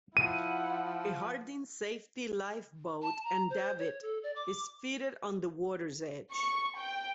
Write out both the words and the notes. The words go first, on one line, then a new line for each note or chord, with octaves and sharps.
A Harding safety lifeboat and davit is fitted on the water's edge.
F3 E4 F#5 D#7
A5
A#5
C5
C#5
A4
D5
D6
C#6
G5